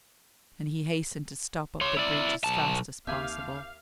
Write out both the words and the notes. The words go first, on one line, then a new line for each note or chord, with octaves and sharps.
And he hastened to stop up the breach as fast as possible.
C#5 C6
E4 D5
B1 A5
D#2 C3 E5 F5 G#5 B5 D6 G6